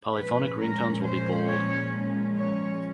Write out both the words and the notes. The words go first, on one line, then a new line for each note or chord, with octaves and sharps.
Polyphonic ringtones will be Bold.
A#2 F3 G#3 C#4 B4
A#4
C5
C#5
C#5